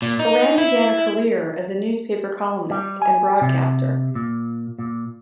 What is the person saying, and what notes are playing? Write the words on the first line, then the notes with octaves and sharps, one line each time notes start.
Horan began a career as a newspaper columnist and broadcaster.
A#2
D#4
E4
G3
G#5
C3
A#2
A#2